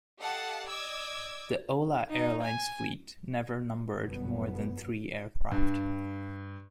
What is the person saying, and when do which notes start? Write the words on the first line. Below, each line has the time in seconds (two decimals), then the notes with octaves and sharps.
The Hola Airlines fleet never numbered more than three aircraft.
0.20 G4 A4 D#5 F5 F#5 A5
0.68 D5 D#5 D6 E6 G#6
2.11 D#4
2.43 G#5
3.98 G1 F#2 B2 B3
5.51 G2